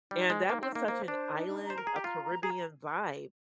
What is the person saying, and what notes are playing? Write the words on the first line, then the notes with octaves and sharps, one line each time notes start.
and that was such an island, a Caribbean vibe,
G3 D#4
G#3 C5
A#3 D#4
C4
D#4
A#3
A#3 C5
D4 C5
D#4
D#4
C5 A#5
A#4
G#4 A#5
G4
F4 A#5
A#5
G#4 A#5